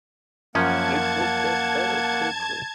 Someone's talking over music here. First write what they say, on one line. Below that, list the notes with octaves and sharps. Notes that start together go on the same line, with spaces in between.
It will get better quickly.
F#2 F3 A#3 C#4 F#5 A5 G#6